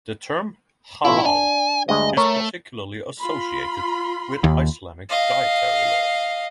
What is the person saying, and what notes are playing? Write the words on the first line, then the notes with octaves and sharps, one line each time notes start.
The term "halal" is particularly associated with Islamic dietary laws.
A1 B2 E4 F4
D4 G#5
D2 G2 G#3 D#5
A3 A#4 C#5
F4 B5 C6
D#2
D#5 F5